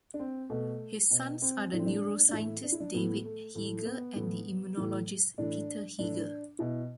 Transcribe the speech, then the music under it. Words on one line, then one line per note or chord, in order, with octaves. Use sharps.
His sons are the neuroscientist David Heeger and the immunologist Peter Heeger.
D4
C4
B2 A3
B2
C4
A2 E3 D4
C4
D4
D4
A2 E3 E4
D4
E4
D4
A2 E3 B3
A3
A2 E3 A3
A3
B3
A2 E3
A2 E3
A2 E3 D4
A2 E3 D4
B2 E4